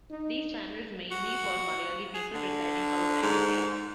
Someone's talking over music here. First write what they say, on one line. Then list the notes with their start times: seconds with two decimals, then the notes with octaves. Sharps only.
These channels mainly for malayali people residing outside India.
0.10 D#4
1.11 F#4
2.14 G#4
2.34 D3
3.22 G#2